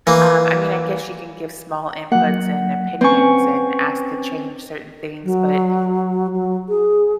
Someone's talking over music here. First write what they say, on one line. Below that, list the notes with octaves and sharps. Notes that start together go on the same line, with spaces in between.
Um, I mean, I guess you can give small inputs and opinions and ask to change certain things, but,
E3 A#3
F#3 A#3 F#5
C4 C#4 B4 G#5 C#6
F#3
F#3
G#4